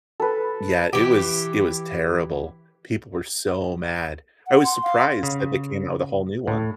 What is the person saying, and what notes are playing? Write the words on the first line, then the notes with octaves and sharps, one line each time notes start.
yeah, it was it was terrible. People were so mad. I was surprised that they came out with a whole new one.
A4 B4
E3 G4
F#5
C6
F5
C#3
A2